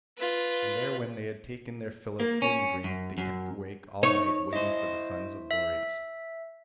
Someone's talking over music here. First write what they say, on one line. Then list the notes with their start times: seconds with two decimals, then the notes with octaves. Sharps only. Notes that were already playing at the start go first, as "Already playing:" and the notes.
And there, when they had taken their fill of food and drink, they kept awake all night waiting for the sons of Boreas.
0.17 F4 B4
2.20 A#3
2.42 C#4
2.84 F#2
3.18 F#2
4.03 D#4 C#5
4.53 E4 C5 D#5
5.51 E5